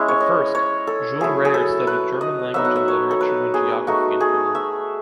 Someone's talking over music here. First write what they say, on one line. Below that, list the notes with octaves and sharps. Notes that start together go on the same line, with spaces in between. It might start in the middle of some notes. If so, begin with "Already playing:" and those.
At first, Junge-Reyer studied German language and literature and geography in Berlin.
Already playing: G#3 C#4 E4 E5
C#5
D#5
C#5
A4
F#3 A3 E4 G#4
G#4
A4
B4
D#5
F#3 B3 D#4 E5
F#5
E5
C#5
A4
B4
G#4
A3 D#4 F#4
G#4
E5